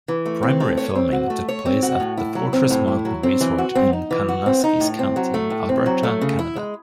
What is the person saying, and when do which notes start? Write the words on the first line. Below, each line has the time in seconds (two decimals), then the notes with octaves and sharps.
Primary filming took place at the Fortress Mountain Resort in Kananaskis Country, Alberta, Canada.
0.08 E3
0.26 A3
0.43 C4
0.60 A3
0.78 C#5
0.95 C4
1.12 F#4
1.30 A3
1.49 C#5
1.66 C4
1.83 F#4
2.00 A2
2.17 E4
2.35 F#3
2.53 C4
2.70 A2
2.88 E4
3.05 F#3
3.23 C4
3.40 E3
3.58 F#4
3.75 C4
3.93 D#4
4.11 E3
4.29 F#4
4.46 C4
4.64 D#4
4.80 A2
4.99 C4
5.16 F#3
5.34 A3
5.50 A2
5.69 C4
5.86 F#3
6.03 A3
6.21 C#3
6.39 E4
6.56 G#3